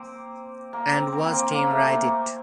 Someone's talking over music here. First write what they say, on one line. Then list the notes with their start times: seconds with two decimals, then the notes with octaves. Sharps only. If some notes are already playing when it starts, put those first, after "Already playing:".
And watched him write it.
Already playing: A#3 C4
0.73 A#3
0.93 C4
1.12 C4
1.26 A#3
1.32 C4
1.51 A#3
1.71 A3
1.91 A#3